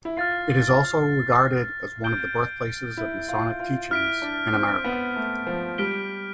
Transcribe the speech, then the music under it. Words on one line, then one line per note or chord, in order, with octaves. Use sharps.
It is also regarded as one of the birthplaces of Masonic teachings in America.
E4
F4 F6 A6 C7
G6 D7 G7
E4
F4
F4
E4 F6 B6 D7
D4
C4
B3
A3
F3
G3 F6 B6 D7 G7